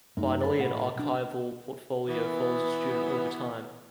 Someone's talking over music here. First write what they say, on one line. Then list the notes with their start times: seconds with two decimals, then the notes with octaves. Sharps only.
Finally, an archival portfolio follows a student over time.
0.17 F#2 A3 A#3 D#4
0.41 A#4 B5 A6
0.59 A2 G#4 F#5
0.96 B1 D4
2.09 E3 B3